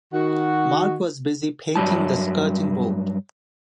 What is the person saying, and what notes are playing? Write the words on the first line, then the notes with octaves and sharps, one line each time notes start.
Mark was busy painting the skirting board.
D#3 F#4
G2 F#3 G3 A5